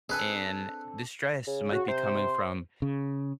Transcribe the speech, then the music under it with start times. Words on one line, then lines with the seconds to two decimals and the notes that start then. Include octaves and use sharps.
and the stress might be coming from,
0.09 C4 D4 G#4 A4 B4 G#5
1.47 C#3
1.72 F#4
1.88 C3 C5
2.82 C#3